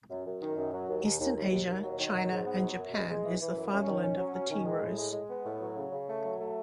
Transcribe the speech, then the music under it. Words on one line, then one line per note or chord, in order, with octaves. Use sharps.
Eastern Asia, China and Japan, is the fatherland of the tea rose.
F#2
F#2
D#3
F#2
F#3
D#2
D#2
D#2
D#2
D#2
D#2
F#3
D#3
F#3
G#2
B3
F#3
F#2
G#3
G#3
E3
E3
F#2
C#4
D#3
C#4
F#3
C#4
D#3
G#3
A2
G#3
G#3
B3
A2
F#3
C#3
C#3
A3
F#3
A3